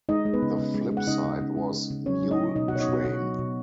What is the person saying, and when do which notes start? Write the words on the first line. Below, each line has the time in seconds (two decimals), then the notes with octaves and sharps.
The flip side was "Mule Train".
0.09 G#3 D#4 D#5
0.25 G#3
0.34 B3 B4
0.42 C#3
0.59 C#3
0.74 G#3
0.91 G#3
0.97 F#5
1.07 C#3 D#4 D#5
1.24 C#3
1.41 C#3
1.57 G#3
1.73 C#3
1.90 C#3
2.06 F#3 C#4 C#5
2.23 F#3
2.31 D#4 D#5
2.40 F#3
2.56 B2 D#4 D#5
2.68 F#4 F#5
2.73 B2 C#5
2.80 D#4 D#5
2.89 B2 F#4 F#5
3.05 B2 F#4 F#5
3.21 F#3
3.38 B2